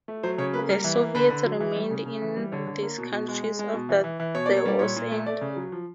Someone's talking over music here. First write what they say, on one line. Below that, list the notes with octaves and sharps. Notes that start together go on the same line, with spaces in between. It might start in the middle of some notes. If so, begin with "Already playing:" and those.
The Soviets remained in these countries after the war's end.
A3
F#3 C5
C#3 C#5
A#3 B4
G3 A#4
E3
A#3
D3 B4
D3
F#3
E3
G3
C#3
C#3
E3
G3
D3 C#5
D3
A#3
B2
B2
G#3
G#3
G#3
B2
E3
E3
E3
B2 C#5
A#3 D5
C#5
G3 D5
A#2 C#5
A#2
A3
A3 D5
C#3
F#3
F3